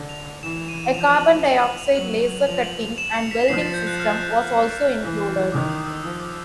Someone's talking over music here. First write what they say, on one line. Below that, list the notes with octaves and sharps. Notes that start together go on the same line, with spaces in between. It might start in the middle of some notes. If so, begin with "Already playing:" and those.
A carbon dioxide laser cutting and welding system was also included.
Already playing: D3
F7
E3 E7
D#7
F3 F7
F#7
F#7
F7
F#7
F7
F#3 F#7
F3 F7
F#7
F7
E7
C#7
B6
F3 C7
A6
G6
F#6
F6
E3
D#3 D6
D#6
E6
F3 D#6
D6